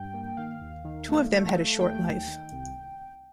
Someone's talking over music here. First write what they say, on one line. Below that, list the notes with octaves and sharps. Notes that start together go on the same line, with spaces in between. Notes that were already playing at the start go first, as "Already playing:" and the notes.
Two of them had a short life.
Already playing: G2 G5
A#3
D#3 F5
D#2
D#3
A3
A3
A3
D#2 G5
D#2
D#3
C2